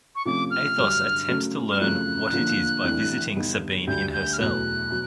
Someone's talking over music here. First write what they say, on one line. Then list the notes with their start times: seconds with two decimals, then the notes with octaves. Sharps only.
Athos attempts to learn what it is by visiting Sabine in her cell.
0.15 C#6
0.25 C3 F3 A3 C#4 D6
0.51 F6
0.78 G2 D3 F#3
1.29 C#3 F#3 A3
1.71 F6
1.80 F#2 C#3 F3 A3 C4 F#6
2.32 D3 F3 A#3
2.84 C2 C3 E3 A3 D4
3.35 G2 D3 G3 B3 D#4
3.87 D2 D3 G3 G6
4.13 G6
4.33 F6
4.39 E2 B2 F#3 A3 F#6
4.90 B2 F#3